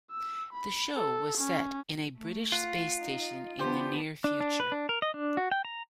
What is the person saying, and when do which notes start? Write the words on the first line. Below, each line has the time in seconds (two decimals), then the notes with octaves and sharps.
The show was set in a British space station in the near future.
0.11 E6
0.53 B5
0.96 A4
1.38 C#4
2.15 A3
2.52 F4 F#5
2.98 D#4
3.59 E3 B3 D4 G4 C5
4.24 D4
4.40 D4
4.60 B4
4.72 D4
4.89 A#4
5.02 D#5
5.14 D4
5.37 F#4
5.51 G5
5.65 A#5